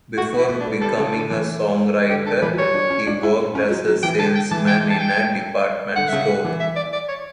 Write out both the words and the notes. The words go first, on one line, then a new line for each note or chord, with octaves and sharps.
Before becoming a songwriter, he worked as a salesman in a department store.
A3 F#4
B3
E4
B3
D4
A3
G3 A4
C#3
D3
E3
D3 G4
D3 A4
E3 B4
F#3
G3 C#5
D4
C#4
D4
E4
C#4
F#3
F#3
E3 G5
D3 A5
G5
E3 A5
G5
A5
G5
D3 F#5
C#3 E5
F#5
E3
E5
D5
D5
C#5